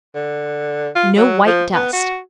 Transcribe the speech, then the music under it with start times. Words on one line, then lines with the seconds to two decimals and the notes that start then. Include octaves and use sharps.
No white dust.
0.15 D3
0.95 F4
1.17 F#3
1.46 F3
1.74 B3
1.93 F#4